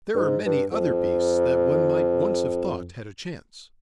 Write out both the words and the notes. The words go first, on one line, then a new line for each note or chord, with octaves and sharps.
There are many other beasts that one might once have thought had a chance.
G2
G#2
G2
F2